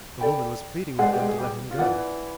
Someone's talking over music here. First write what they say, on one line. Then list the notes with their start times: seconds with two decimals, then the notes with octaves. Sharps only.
The woman was pleading with them to let him go.
0.19 A4 D5 G5 B5
0.99 G#3 G#4 B4 D5 F#5
1.13 G4
1.19 G#3 G#4
1.29 G#4
1.38 G3 G4
1.71 F4
1.78 E3 E4 B4 D5 F#5